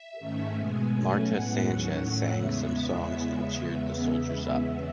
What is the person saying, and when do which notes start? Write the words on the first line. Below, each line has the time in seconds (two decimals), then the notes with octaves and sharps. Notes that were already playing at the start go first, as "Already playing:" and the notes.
Marta Sanchez sang some songs and cheered the soldiers up.
Already playing: E5
0.19 G#2 D#3 A3 C#4
0.55 B2 G#3 B3 G#5
0.91 B2 F#3 A3 C#4
1.26 A2 G#3 B3 F#5
1.62 D#2 D#3 F#3 C#4
1.98 A2 F#3 A3 C#4
2.34 E2 C#3 G#3 B3 E5